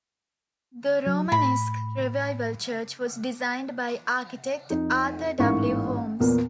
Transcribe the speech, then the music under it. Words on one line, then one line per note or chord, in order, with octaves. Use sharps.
The Romanesque Revival church was designed by architect Arthur W. Holmes.
F#3
A2 B5
F2 D#4
A1 G#2 A#3 E4 F5 C#6
E2 A#2 A#3 B3